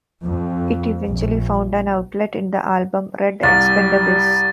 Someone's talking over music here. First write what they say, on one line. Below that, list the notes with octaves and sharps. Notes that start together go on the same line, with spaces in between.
It eventually found an outlet in the album "Red Expendables".
F2
A#1
C2 G3 A6